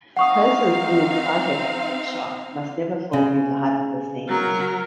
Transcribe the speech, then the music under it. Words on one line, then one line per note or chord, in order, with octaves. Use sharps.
Persons in excitotoxic shock must never fall into hypoglycemia.
C4 D#4 F5 F#5 C#6 D#6
C#3
F#3 A#4